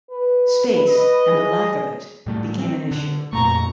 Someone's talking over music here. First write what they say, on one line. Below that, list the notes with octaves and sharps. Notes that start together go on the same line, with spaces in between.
Space, and a lack of it, became an issue.
B4
D#5
G#4
A2 G3 A3
C4
D3
F2 A#2 A3 A#5 C#6